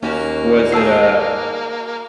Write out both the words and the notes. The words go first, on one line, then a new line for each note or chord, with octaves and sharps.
Was it a
D#2 A#3 C#4 F#4
F#4 G#4 A5 E6 C7